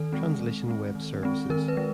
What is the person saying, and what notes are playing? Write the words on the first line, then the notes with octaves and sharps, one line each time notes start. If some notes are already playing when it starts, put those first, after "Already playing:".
Translation Web Services.
Already playing: D#3 A4
G#3 C4
D#3
G#3 C4
D#3
G#3 C4
D#3 A#4
B4
G#3